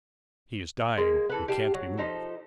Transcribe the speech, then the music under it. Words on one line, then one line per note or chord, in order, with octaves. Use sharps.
"He is dying, and can't be moved."
G#3 A#3
E3 A4 B4
G4 F5 A5
F#3
F3 D#4 A4